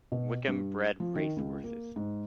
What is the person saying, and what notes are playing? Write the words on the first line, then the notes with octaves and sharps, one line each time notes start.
Wickham bred racehorses.
B2
G2
F3
D#3
C#2
A#3
G#2